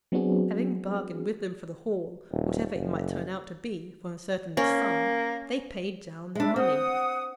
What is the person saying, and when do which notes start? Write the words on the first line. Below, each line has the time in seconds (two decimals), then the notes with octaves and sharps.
Having bargained with them for the haul, whatever it might turn out to be, for a certain sum, they paid down the money.
0.12 F#3 B3 C4 D4 F#4 G#4
2.32 D#1
2.74 F#1
4.57 A#3 C#4
6.35 G#3 D4 B4 E5
6.56 C4 F#5 D#6